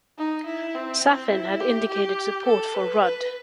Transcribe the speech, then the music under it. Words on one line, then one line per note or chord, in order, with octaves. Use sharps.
Saffin had indicated support for Rudd.
D#4
E4
C4
C4
E4
G4
G4
A4
B4
B4